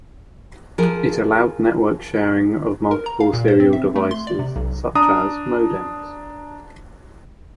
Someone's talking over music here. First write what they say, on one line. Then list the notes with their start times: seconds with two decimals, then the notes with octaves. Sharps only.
It allowed network sharing of multiple serial devices, such as modems.
0.78 F3 G#4 A#4
2.91 A#4
3.06 A#5
3.20 F5
3.33 A#2
3.48 C5
3.60 C4
3.73 E5
3.96 A3
4.11 C6
4.27 D5
4.39 C3
4.56 B1
4.95 D4 A#5 D#6